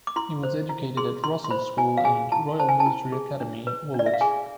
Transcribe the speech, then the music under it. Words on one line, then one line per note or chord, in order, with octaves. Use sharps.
He was educated at Rossall School and Royal Military Academy, Woolwich.
D6
E4 C6
C5
E4
G#4 C6
E4 C6
C6
C5 B5
E4 G#5
F5
G#4 G#5
E4 A5
C5 A5
G#5
A5
E4
G#4
D4
B4
D4
D5
E5
F5
G#4 G#5